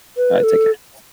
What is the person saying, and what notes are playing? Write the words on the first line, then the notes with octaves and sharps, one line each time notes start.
All right, take care.
B4
A4